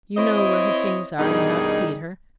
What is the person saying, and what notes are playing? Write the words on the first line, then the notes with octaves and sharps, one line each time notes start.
You know where her things are, and how to feed her.
C4 E4 C#5 D#5
G2 B2 D#3 G3 D#4 G#4